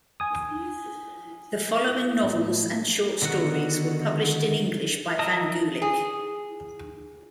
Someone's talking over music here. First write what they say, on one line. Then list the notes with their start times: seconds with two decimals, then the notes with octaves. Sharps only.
The following novels and short stories were published in English by van Gulik.
0.20 G#5 D#6
2.24 A2
3.22 D3 D#3 B3 F#4 F#5
5.19 A#4 D#5 E5 A5 A#5
5.82 G#4